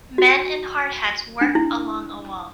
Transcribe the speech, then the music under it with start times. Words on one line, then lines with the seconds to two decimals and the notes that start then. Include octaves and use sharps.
Men in hard hats work along a wall.
0.18 F#4
1.41 D4
1.55 E4